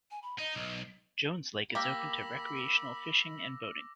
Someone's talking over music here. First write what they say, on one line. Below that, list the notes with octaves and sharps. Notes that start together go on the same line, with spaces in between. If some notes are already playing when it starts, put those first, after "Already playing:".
Jones Lake is open to recreational fishing and boating.
G#5
B5
D#4 D#5
B1
A#3 G4 B5 D6 E6 A#6